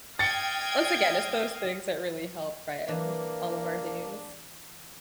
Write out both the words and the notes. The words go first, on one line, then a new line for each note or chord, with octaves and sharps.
once again, it's those things that really help, right? In all of our days.
D#5 F5 G5 G#6 A6 C#7
E3 A#3 D4